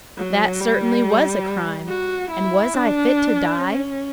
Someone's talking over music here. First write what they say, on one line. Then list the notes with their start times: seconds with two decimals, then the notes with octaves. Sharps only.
That certainly was a crime: and was I fit to die?
0.17 F#3
0.60 G3
1.88 F#4
2.31 E4
2.73 D4
3.59 C#4